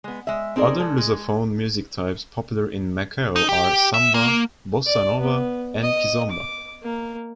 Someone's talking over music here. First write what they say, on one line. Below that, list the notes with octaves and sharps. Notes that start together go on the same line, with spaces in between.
Other Lusophone music types popular in Macao are "samba", "bossa nova", and "kizomba".
G#3 B3
G#3 E5
C4 D#4 G#4 A#4 D5
G#3 A4
G#3
D#4
G4
E5
A#3
D5
B3
D#5
D6
A#3